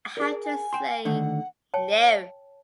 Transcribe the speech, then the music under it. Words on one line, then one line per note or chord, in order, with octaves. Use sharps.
I have to say no.
G#4 A#4 D5
G#5
G5 C6
D3 D#3 A3 F#5
C#5 G5 A5